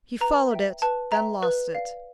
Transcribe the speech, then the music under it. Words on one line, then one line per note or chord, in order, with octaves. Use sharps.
He followed it, then lost it.
B4 A#5
E5 G5
B4 A5
E5 G5 A#5
B4
D5 F5